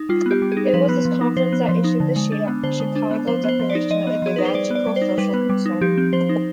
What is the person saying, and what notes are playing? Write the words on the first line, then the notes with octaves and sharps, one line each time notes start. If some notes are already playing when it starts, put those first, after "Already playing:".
It was this conference that issued the Chicago Declaration of Evangelical Social Concern.
Already playing: D#4
G3 F4
B3 G4
G3
G#4
D#4
F3 B4
B3
F3
D#4
F3 C5
B3
F3
D#4
D3
G#3
D4
B3
D3 C5
G#3
D4
B3
F3 C5
B3 C5
F3
D5
D#4
F3 D#5
B3
F3 G#4
D#4 B4
C5
G3 D5
B3 D5
G3
C5
D#4
G3 B4
B3
G3
D#4
F3 G4
C4
F3 C5
D#4